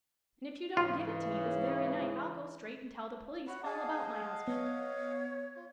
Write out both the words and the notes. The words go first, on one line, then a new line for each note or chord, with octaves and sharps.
"And if you don't give it to me this very night I'll go straight and tell the police all about my husband."
G#2 C#3 E3 F4
F#4 C#5 F#5 B5
G#4 D#5 F5 F#5 A5
B3 C#5
F4